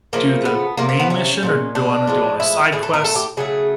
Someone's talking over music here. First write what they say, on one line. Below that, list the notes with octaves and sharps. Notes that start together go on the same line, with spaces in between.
do the main mission or do I wanna do all these side quests?
C#3 F3 A3 A#3
B3
C3 F3 A3 A#3
A#3
B3
C#4
A#2 F3 G#3
D4
A2 F3 G#3
E4
A2 E3 A3 G#4
A4
A#4
A4
G4
C#3 F#3 A3 G#4